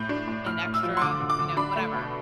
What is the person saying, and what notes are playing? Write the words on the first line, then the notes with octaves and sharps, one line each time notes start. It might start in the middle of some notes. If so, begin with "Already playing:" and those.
an extra, you know, whatever.
Already playing: A2 G6
D4
A2
A2 F6
A2
E6
F3
C6
D3 D6
D3
D6
D3
D4 B5
A3
B2